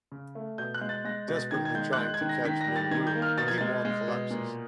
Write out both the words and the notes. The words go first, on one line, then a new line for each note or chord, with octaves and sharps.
Desperately trying to catch Min-woo, Hye-won collapses.
C#3
A3
B2 G6
F#6
G#3
A6
G#3 A#6
B2
A6
D#3 G#6
G#6
G#3 G6
F#6
G#3 G6
G#6
D#3
A#6
D#3 B6
A#6
G3
A6
D#3 G#6
G6
A#3
F6
B2 A6
G#6
G#3 A6
G#3
B2
A#2